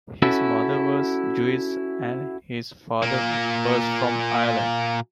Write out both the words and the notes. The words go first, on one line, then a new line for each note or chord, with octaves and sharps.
His mother was Jewish and his father was from Ireland.
C#4 E4 F#4 A4
A#2 A#3